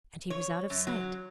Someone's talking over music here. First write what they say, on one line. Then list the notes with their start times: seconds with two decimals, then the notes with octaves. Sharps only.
And he was out of sight!
0.30 C#5
0.70 F#2
0.87 F#3